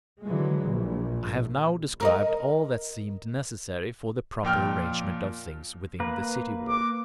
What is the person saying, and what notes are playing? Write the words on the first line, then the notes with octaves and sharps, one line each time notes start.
I have now described all that seemed necessary for the proper arrangement of things within the city walls.
D3 E3 F#3 G#3
A#1
A#4 C#5 D#5
F2 A#2 G5 F6
A#3 B4
D6